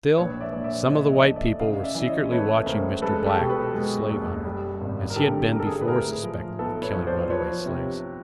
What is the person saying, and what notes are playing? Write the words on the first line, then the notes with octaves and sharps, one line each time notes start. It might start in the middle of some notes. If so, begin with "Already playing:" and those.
Still some of the white people were secretly watching Mr. Black, the slave hunter, as he had been before suspected of killing runaway slaves in the woods.
A#1 B4 C#5
D5 E5
A#1
D5 E5
A#1 C#5 D#5
C#5 D#5
A3
D5 E5
C#3 D#5 F5
D5 E5
E3 E5
C#5 D#5
A3 B4 C#5
C#2 A#4 C5
G#3 A4 B4
G4 A4
B2
A4 B4
G#3
F#1
G3
G#1
A#4
D3 G4 A4
D3 A#4
A4
G#4
G4 A4
B4
A2 G#4 A#4
F3
B1 A4 B4
B4 C#5
F3
C5 D5
F3 B4 C#5
C3